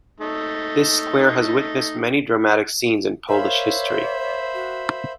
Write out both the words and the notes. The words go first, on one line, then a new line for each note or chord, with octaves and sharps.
This square has witnessed many dramatic scenes in Polish history.
A3 D#4
A#4 C5 C#5 E5 F5 B5
F#4